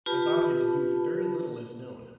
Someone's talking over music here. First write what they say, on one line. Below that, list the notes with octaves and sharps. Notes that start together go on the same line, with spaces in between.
About his youth very little is known.
F4 G4 B4 A5 B5